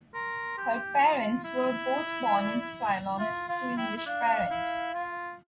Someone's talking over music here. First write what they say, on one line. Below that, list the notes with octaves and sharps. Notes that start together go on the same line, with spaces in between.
Her parents were both born in Ceylon to English parents.
A#4 C6
G4
F4
E4
D5
F4 E5
F4 F5
E4 G5
E4
D4 F5
E4
F4